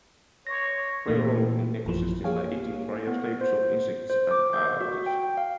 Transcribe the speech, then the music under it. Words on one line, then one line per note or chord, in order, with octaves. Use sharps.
Play rolls in eco-system by eating various types of insects and otherwise.
C#5 A#6
A#2 E3 A3
A1 F#2 E3 F3
A#3 G4 G#4 C#5 F5 G#5
B3
C5
C5
D6
G6
F#4
G5
F5